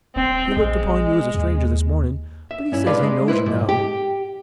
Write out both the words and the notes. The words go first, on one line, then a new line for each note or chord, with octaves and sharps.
He looked upon you as a stranger this morning, but he says he knows you now.
D1 C4
A#1 G#3
D#2
E5
G2 C#4 E4
G#3 D4 G4 B4 D5 F5
G#3
E4 B4 C5
B1 G#2
G4